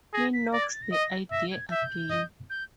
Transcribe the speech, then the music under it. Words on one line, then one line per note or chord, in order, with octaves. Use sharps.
He knocks the idea again.
G#4 A#6
B6
D5 A#6
G#6
A6
A#6
D#5
E5 A#6
G#6
E5 G6
D#5
G6